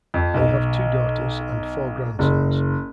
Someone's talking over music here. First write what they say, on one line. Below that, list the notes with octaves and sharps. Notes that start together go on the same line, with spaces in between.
They have two daughters and four grandsons.
F2
B1
F#1